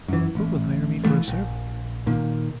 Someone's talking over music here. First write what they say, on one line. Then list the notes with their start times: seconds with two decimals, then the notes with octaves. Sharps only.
Who will hire me for a servant?'
0.08 F#2 E3
0.35 A1
1.04 E3 F3 G3 A3
1.28 A#1
2.06 A#2 D#3 A#3